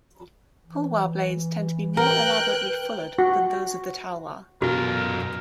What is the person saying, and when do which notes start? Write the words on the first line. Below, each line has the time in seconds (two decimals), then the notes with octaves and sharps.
Pulwar blades tend to be more elaborately fullered than those of the talwar.
0.65 E3
1.97 A#4 B4 G5 F#6
3.19 F#4
4.62 F#2 B2 F4 F#4 A#4